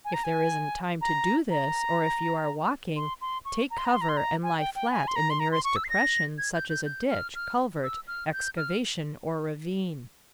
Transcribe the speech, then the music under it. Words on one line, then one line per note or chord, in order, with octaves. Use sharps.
If there isn't time to do this--or if you are walking--take cover and lie flat in the nearest depression, such as a ditch, culvert, excavation, or ravine.
G#5
A#5
G#5
A#5
A#5
C6
C6
C#6
A#5
C6
A#5
C6
A#5
C6
A#5
G#5
G5
G5
G#5
C6
A#5
C6
A#5
C6
C#6
E6
C7
A#6
G#6
G6
G6
G6
F6
F6
E6
F6
G6
F6